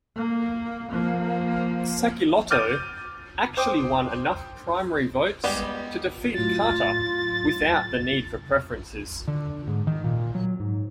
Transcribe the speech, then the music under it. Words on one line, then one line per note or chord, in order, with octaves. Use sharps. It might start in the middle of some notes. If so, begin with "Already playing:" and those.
Sacilotto actually won enough primary votes to defeat Carter without the need for preferences.
A#3
F3 A#3
D6 F6 G6 A6 D#7
C5 G5 D6 D#6
G3 G#3 B3 G4
A2 F#3 F4 A6
D3
G#2
D#3
A#2
F#3
G#2